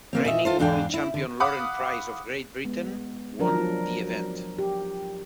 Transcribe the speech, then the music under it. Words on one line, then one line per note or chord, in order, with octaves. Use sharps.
Reigning World Champion Lauren Price of Great Britain won the event.
C3 A#3 C4
A#2 D#5 E5
F4 A4 C5
E2 G#2 D4 F5 G5
E4
D3
F5 F#5 B5 D6 D#6 F#6
G#3 B3
F3 F#3 D4 A#4 D5
G4